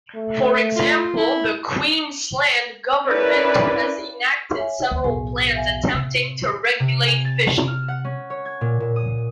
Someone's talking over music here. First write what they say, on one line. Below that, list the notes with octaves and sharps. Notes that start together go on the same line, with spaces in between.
For example, the Queensland Government has enacted several plans attempting to regulate fishing.
A3
F4
E4
C#4 D4 E4 A#4 B4 D5
C#5 E5 G#5
D#2
B1 E2 A2 G#4 G#5
E5 F5 G#5
C3
C3
G#5
A6
F6
F#5
C#4
C#5
G#6
A#2
A#2
D#6